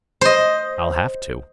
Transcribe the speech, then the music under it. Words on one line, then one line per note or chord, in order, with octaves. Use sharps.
I'll have to.
C5 D#5